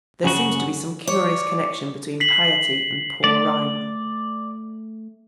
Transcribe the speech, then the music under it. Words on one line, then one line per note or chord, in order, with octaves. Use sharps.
There seems to be some curious connection between piety and poor rhymes.
F#2 C#3 F#4
C#5 D5
B6 C7 F#7
A3 D5